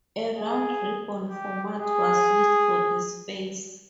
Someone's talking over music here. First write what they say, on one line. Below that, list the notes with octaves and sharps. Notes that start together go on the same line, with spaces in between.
A round robin format was used for this phase.
G#4
G4
G#4